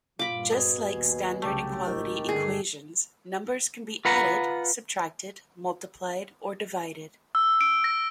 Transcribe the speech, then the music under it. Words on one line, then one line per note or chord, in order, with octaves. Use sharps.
Just like standard equality equations, numbers can be added, subtracted, multiplied or divided.
G2 A#2 F4 B5 D6
B2 G#4
D#2
C2 C#3 F#3 A3 G4
G#1 D#3
G2 D3 G3 G#4
F4 B4 F#5 A#5
E6
D7
A#6